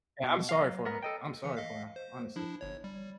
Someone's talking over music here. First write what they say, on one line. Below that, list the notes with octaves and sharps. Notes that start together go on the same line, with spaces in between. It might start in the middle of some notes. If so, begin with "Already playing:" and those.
Yeah, I'm sorry for him, I'm sorry for him, honestly,
B2
D#5 F5
F#3
B3 A#4
A4 D#5 G5
E3 C#7
D#5 F5 B6
C5
F3 D4 E4
G1 C#5
G3